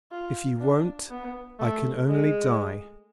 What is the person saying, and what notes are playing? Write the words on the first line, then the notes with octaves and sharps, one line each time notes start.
If you won't,--I can only die.
F4
D4
B3
A3
G#3